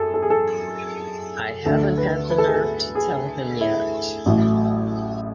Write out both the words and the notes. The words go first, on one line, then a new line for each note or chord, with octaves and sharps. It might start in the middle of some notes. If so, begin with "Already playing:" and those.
I haven't had the nerve to tell him yet.
Already playing: F#2 G#4 A4
A4
G#4
A4
D2 D3 A3 A4
B4
B4
A4
G#4
A4
G#4
E4
A1 A2 F#3 A3